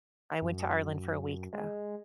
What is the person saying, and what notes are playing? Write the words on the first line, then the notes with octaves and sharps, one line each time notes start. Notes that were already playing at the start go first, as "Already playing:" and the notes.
I went to Ireland for a week, though.
F#2
G#3